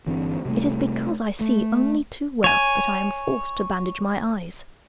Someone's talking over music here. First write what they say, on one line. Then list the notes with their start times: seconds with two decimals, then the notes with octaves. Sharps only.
It is because I see only too well that I am forced to bandage my eyes.
0.07 G1 E3 C4 D4
0.45 C3 G3 A3
1.41 A3
2.44 C#5 G#5